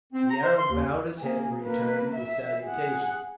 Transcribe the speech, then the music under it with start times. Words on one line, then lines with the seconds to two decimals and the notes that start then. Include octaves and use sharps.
The Arab bowed his head and returned the salutation.
0.13 C4
0.30 A#5
0.43 C5
0.58 C6
0.71 D#2
1.19 A#3 G#4
1.62 A#3 B4
2.15 E5
2.65 G#4 F#5